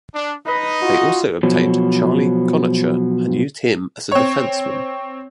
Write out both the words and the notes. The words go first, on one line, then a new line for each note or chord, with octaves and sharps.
They also obtained Charlie Conacher and used him as a defenceman.
D4
D#4 B4 D#5
F4 F#4
B2 F3 F#3
C4 C#5